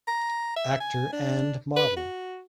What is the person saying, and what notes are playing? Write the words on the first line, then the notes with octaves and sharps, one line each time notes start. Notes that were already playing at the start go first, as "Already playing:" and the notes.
Actor and model.
A#5
E5
G#5
D4
B4
F#4